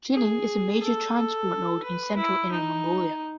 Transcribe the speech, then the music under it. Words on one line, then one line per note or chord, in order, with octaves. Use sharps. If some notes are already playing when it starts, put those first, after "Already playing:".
Jining is a major transport node in central Inner Mongolia.
G#4
A4
A4
B4
E4
D#4